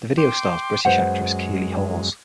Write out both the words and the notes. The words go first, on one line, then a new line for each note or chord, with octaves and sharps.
The video stars British actress Keeley Hawes.
G5 C6 D6
F#2 G#3 B4 C5 F#5